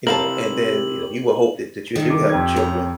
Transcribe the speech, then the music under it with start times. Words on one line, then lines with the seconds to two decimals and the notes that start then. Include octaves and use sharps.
you know, and then, you know, you would hope that that you do have children
0.07 C3 E4 G4 A#4 F5 A5 F#7
1.96 G2 D#3
2.10 D6
2.30 F2 G4 G#6
2.56 A2 C#3 A#5